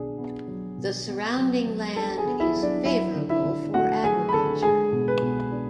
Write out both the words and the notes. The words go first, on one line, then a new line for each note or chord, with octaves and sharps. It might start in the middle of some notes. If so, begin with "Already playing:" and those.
The surrounding land is favorable for agriculture.
Already playing: B2 D4 G#4
B3
F#3
B2
B3
F#3
F#3
D4 A4 A5
G#4 G#5
B3
E4 E5
F#3
D4 D5
F#3 E4 E5
D3
E4 E5
D3
A3 F#4 F#5
F#3 G#4 G#5
B5
D3 A4 A5
G#3 G#4 G#5
B2
B4
B2
D4